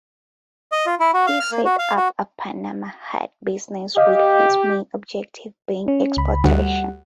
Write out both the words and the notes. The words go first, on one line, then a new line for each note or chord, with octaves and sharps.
He set up a Panama hat business with his main objective being exportation.
D#5
F4
E4
F#4
F5
F6
A#3
F#4
F5
F#4
G4 D#5 F5
C#4
C#2 B5
D2 G3 F#5